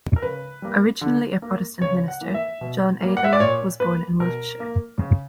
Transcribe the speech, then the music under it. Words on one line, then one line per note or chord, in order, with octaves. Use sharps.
Originally a Protestant minister, John Adelham was born in Wiltshire.
A#4
C#3 B4
G3 A#3
D3
A#3
C#3 C#5
F#5
E3 A#3
E5
B2
G3 A#3
F#5
E5
D5
A#2 C#5
A#3 B4
B2 A#4
A#3
C#3